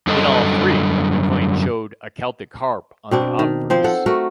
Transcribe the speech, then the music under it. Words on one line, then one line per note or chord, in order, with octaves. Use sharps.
In all three, the coin showed a Celtic harp on the obverse.
F#2 D3 G3 A4 D#5
B2 C4 D4
D#3
F3 C4 C5
A4 F#5
A3 F#4 A#4